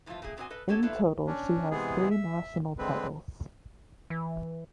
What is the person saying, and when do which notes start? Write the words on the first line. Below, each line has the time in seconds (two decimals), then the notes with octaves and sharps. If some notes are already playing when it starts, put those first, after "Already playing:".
In total she has three national titles.
0.06 E3 F3 A3 D#4 F4
0.22 A#2 A3 A#3 G#4
0.37 E2 A#2 C4 F#4 D#5 G#5
0.50 A4 B4 D#5
0.69 B3 C#4 G4 A4 C#5
0.82 A3 D4 E4 F4 A4 B4
1.27 C#4 D4
1.71 C3 E3 G#3 B3 G#4
2.10 E5
2.78 D3 G#3 C4 B4
4.10 E3